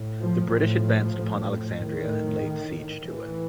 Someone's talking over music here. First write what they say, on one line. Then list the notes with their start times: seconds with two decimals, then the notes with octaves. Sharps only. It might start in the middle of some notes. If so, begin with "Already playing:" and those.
The British advanced upon Alexandria and laid siege to it.
Already playing: A2
0.23 F3
0.54 A2 F3
1.16 A2
1.78 A2 D#3
2.40 A2
3.02 A2 E3